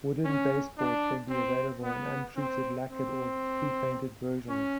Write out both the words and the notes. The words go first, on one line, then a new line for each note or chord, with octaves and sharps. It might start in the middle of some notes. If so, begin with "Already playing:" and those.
Wooden baseboard can be available in untreated, lacquered or prepainted versions.
C#4
D4
C4
B3
C4
C4
C#4